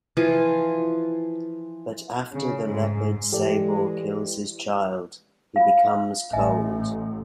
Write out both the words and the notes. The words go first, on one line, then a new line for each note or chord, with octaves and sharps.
But after the leopard Sabor kills his child, he becomes cold.
E3 F3 F4 G#5
C#3
G#2
E3 G#3 G4 A4 D5
F4 F5
A1 D#5 E5 G#5